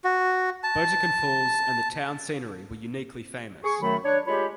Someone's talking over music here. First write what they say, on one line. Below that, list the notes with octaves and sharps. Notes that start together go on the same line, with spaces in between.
Botocan Falls and the town's scenery were uniquely famous.
F#4
A5
G#4 C#6
F#2 D#3 F#3 A3 B5
D4 C#5
G#3 F4 G4 C#5 B5